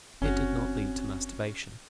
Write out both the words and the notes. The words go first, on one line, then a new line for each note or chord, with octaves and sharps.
It did not lead to masturbation.
F#1 C4 C#4 F#4